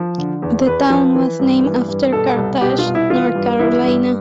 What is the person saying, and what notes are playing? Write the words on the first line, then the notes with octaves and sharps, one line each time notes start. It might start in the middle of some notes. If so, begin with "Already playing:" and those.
The town was named after Carthage, North Carolina.
Already playing: F3
D3
E2
E2 B4
F3
E3
G2
E3
G2
B2 A4
C2
B2 G4
F4
C2
E4
E3 F4
G2
E3 E4
G2